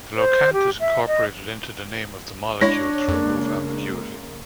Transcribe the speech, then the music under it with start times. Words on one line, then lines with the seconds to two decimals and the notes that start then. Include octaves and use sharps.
The locant is incorporated into the name of the molecule to remove ambiguity.
0.17 C5
0.53 G4
0.80 E5
1.07 D#5
2.61 G#3 D4 E4 C#5 A#6
3.08 F2 C#3 G#3 A#3